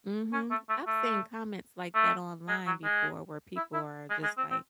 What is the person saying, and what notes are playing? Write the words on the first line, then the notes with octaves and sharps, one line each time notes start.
Mhm. I've seen comments like that online before, where people are just like,
C#4
A3
A3
A3
A3
G#3
F#3
G#3
E4
E4
G#3
G#3
C4
C4